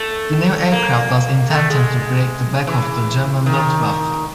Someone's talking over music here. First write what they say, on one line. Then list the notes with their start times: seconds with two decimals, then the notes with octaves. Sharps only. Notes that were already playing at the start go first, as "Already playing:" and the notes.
The new aircraft was intended to break the back of the German Luftwaffe.
Already playing: A3
0.72 A#3
1.50 A3
1.70 G#3
2.67 E3
3.46 D#3